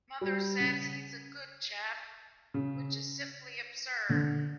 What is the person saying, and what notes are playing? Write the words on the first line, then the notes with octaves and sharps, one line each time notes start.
Mother says he's a good chap, which is simply absurd.
G3
C#3
C#3
D3